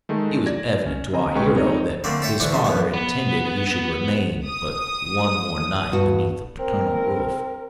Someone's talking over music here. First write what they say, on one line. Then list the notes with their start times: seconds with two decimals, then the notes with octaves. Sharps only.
It was evident to our hero that his father intended he should remain but one more night beneath the paternal roof.
0.09 D#3 G#3 A3
0.46 D5 G#6 A#6
0.86 C#4
1.13 D3 C4 D#5 G#5 A#5
1.35 C2 G#3 C#4 B4 G5 C#6
1.55 C4 D#4 C#5 D#5
2.04 D3 A3 A#3 C4
2.22 A4 C#5 E5 G5 C6
2.40 D2 E3 E4 D5 C#6
2.52 C#3 C#4
2.64 F#2 E3 B3
2.94 B3 B4
4.47 D#6
5.92 G2 F#4
6.59 C4 A#4